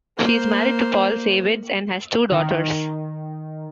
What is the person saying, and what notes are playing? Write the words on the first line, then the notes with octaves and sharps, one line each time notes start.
She is married to Paul Sayvetz, and has two daughters.
A#3 C5
D#3